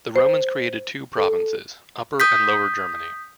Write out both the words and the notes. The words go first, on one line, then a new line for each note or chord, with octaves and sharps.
The Romans created two provinces: Upper and Lower Germany.
C5
A4
D#6 G6 B6